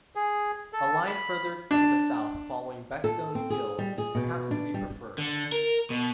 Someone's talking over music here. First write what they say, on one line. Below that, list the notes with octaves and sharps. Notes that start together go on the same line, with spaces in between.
A line further to the south following Beckstones Gill is perhaps to be preferred.
G#4
A4
B5
D4
A4
C4
G#4
G3
G#4
B2
D4
G3
D3
A#4
B2